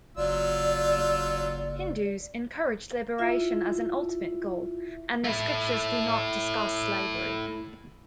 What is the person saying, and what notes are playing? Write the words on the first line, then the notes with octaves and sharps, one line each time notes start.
Hindus encourage liberation as an ultimate goal, and their scriptures do not discuss slavery.
F#1 F#3 F4 D5 E6
E4 F4 E5
A3 E4